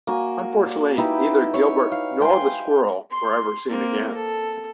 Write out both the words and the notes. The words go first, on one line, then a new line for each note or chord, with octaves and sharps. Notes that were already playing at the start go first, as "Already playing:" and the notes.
Unfortunately, neither Gilbert nor the "Squirrel" were ever seen again.
A#3 F#4 G#5
D5
D#4 E4 G4 B4
C#5
F5
B4 G5 G#5 C6
C6
A#3 C4
A4